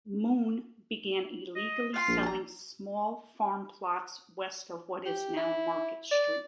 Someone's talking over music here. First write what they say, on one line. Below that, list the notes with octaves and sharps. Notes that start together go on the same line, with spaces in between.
Moon, began illegally selling small farm plots west of what is now Market Street.
D#5
F4 F5 F#5 C6
A#1
A5 A#5
G4
E4
D5